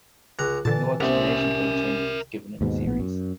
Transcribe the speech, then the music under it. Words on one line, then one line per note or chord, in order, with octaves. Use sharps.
No explanation for the changes was given in the series.
C#2 A#5 F#6
A#2 D3 E3 A5 A6
C2 B3 C#4 A#4 C5 E5
D#2 G#2 B2
A#1 A2 B3
F#2